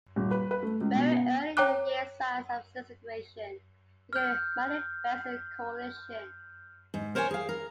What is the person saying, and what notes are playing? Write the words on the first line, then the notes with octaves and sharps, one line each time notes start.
Very early in the year signs of disintegration became manifest in the coalition.
D#1
B4
B4
A3
C#2
B2
B3
C#5 G5 A#5 D6 F#6
F6 G6
G#2
A#4 C5 C#5 F#5 G#5
G#4 F5
A#4